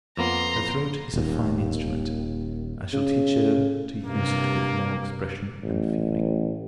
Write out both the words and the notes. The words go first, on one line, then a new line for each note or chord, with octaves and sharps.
Her throat is a fine instrument; I shall teach her to use it with more expression and feeling.
F2 A#3 B3 A#5 C6
D#1 D#2
C#3
G2 C3 A#3
A1